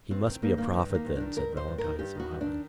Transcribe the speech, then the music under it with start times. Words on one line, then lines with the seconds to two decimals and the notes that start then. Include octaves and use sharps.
"He must be a prophet, then," said Valentine, smiling.
0.11 G2 C4
0.26 D#3 C4
0.42 G2 A#3
0.57 D#3 A#3
0.73 G2
0.90 D#3 A#3
1.05 G2
1.16 D#3 D4
1.36 G2 A#4
1.52 D#3 C5
1.68 G2
1.78 A#4
1.84 D#3
1.99 G2 G4
2.15 D#3 F#4
2.31 G2
2.41 D4
2.46 D#3